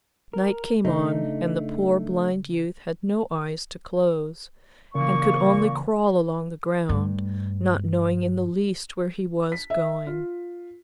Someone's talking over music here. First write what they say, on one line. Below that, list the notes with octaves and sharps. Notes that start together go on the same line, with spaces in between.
Night came on, and the poor blind youth had no eyes to close, and could only crawl along the ground, not knowing in the least where he was going.
A#4
C#3 A3 D4 D#4
A#2 C#3 E3 A#3 C#6
G2 A3
B6
E5
F4